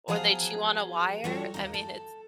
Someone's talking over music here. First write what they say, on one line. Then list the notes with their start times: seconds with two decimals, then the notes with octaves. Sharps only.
or they chew on a wire. I mean, it's
0.08 F3 F#3 B3 G#4 F5
1.24 G3 F4 F#4 A4 C#5
1.54 D#2 A#3 D#4
1.74 A4